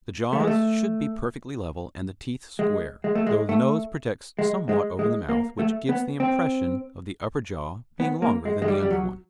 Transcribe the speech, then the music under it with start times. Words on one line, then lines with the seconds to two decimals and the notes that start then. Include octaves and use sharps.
The jaws should be perfectly level, and the teeth square, though the nose projects somewhat over the mouth which gives the impression of the upper jaw being longer than the under one.
0.33 A3
0.40 G#3
0.47 A3
2.59 G#3
3.04 G#3
3.15 A3
3.26 G#3
3.49 A3
4.39 G#3
4.69 G#3
4.99 G#3
5.29 A#3
5.59 A3
5.89 B3
6.20 C4
8.00 B3
8.22 A#3
8.45 G#3
8.62 G#3
8.68 G3
8.83 G3
8.90 F#3